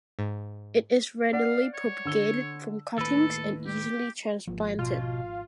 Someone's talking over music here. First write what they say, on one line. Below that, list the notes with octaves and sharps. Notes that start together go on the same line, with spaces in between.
It is readily propagated from cuttings and easily transplanted.
G#2
D5 F5 F#5
C#5
D3 E6 G7
D#2 A2 A4 B4 E6
G4
G#1 F3 A#3
B2 F4